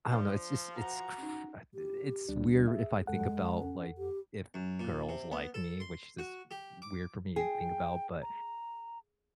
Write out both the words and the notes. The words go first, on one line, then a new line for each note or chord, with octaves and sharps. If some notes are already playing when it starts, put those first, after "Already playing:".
I don't know, it's just it's cr I d it's weird if I think about, like, if girls like me, which is weird for me to think about, but
F3 D4 C5 D5
F#4 A#5
C#4 D#4
G4
D2 G3 D4
G#4 E5
F2 G#3 A4 F#5
C#4
G4
F#2
A#2
C3
B3
A4
C6
F#4
G4
D6
G#4 G5
A#5